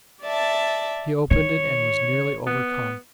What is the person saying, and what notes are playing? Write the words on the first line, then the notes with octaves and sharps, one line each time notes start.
He opened it and was nearly overcome.
D5 E5 A5
D#3 C#5
B3